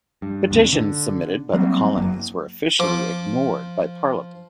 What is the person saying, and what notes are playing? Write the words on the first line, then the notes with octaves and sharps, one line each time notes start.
Petitions submitted by the colonies were officially ignored by Parliament.
G2
D#2 G#2 C3
D3
F#3 G3 A#3 C4
G1 F#2 F#3 A#3
F3 D6